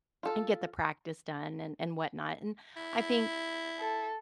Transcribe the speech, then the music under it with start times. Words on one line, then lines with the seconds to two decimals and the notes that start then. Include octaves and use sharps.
and get the practice done and and whatnot. And, I think
0.23 F4 A4
2.77 E4
3.79 A4